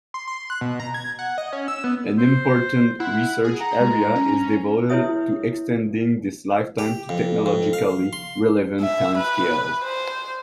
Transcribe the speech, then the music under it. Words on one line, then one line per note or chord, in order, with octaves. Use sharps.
An important research area is devoted to extending this lifetime to technologically relevant timescales.
C6
C6
F#6
B2
A#5
G#6
F#5
D#5
C#4
E6
B3
C5
E4 F#5
G#4
F#5 A#5
G#3
C#4
E4 G#4 B4 C#5 E5 D#6
G4
F2
F2
F5
C6
E5
B4
C5